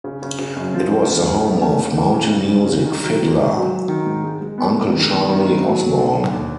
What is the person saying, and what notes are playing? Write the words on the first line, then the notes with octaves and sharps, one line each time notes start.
It was the home of mountain music fiddler Uncle Charlie Osborne.
C#3
C#3
C#3
F#2
F3
C#3
F#2
C#3
A3
C#3
C#3
E3
C#3
C#3
C#3
C#3
D#3
F#3
D#3
G#2
F#3
F#3
D#3
G#2
G#3
G#3
B3
G#3
D#3
B3
D#3
B3
F#3
F#3
D3
D3
D#2